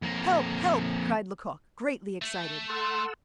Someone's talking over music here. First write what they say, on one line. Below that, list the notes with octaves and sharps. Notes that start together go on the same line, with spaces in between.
"Help! help!" cried Lecoq, greatly excited.
F2 A#3
A3
A4 F#5 C6 E6